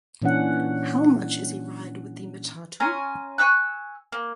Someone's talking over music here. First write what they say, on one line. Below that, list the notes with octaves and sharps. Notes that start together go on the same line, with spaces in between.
How much is a ride with the "matatu"?
A#2 E3 C#4 D4 F#5
C#4 G#5 A#5 C6
G#5 C#6 E6 F#6
A#3